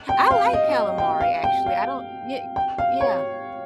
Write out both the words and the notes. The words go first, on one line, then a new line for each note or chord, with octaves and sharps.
I like calamari, actually I don't Ye yeah.
G5
F5
D#5
G5
F5
G5
F5
G5
F5
C#5